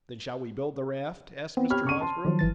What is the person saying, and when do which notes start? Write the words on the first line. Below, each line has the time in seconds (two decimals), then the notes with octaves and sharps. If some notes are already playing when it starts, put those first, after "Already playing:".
"Then shall we build the raft?" asked Mr. Hosbrook.
1.57 B3 C4
1.70 G4 C#5 B5 F6 G#6
1.85 C#3 C#6 D#7
2.00 A5 C6
2.25 D#3 F3 F#3
2.39 G1 E3 A6